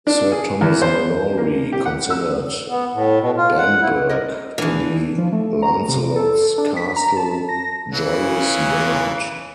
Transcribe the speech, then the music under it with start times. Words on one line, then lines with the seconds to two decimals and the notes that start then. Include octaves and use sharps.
Sir Thomas Malory considered Bamburgh to be Lancelot's castle Joyous Gard.
0.07 D4
0.32 G#4
0.61 E2
0.82 C5
1.38 A#3
1.72 G4
1.85 F#5
2.10 E6
2.69 B3
2.94 A2
3.20 B2
3.37 F4
3.57 F#5
3.81 E4
4.09 A#4 D5 D#5
4.58 E2 E3 D4 G#4 F5
5.18 F3
5.32 A3
5.62 A#5
5.89 C3
6.16 A4
6.58 D4
6.77 B6
6.96 A#5
7.17 A5
7.49 A#6
7.94 C#3 E3 F#5